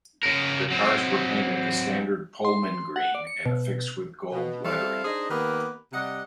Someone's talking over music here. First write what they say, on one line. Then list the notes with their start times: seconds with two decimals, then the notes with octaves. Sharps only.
The cars were painted the standard Pullman Green and affixed with gold lettering.
0.23 C#3 A#4
0.70 F#3 C4
2.45 C6
2.96 F#5
3.15 D5
3.27 C#7
3.46 B2
4.32 B2
4.64 G3 C4 E4 A4 F5
5.05 D4 D#4 G#4 C5 D#5
5.30 D#3 A#3 B3 G4 B4
5.92 C3 G3 D#5 F#5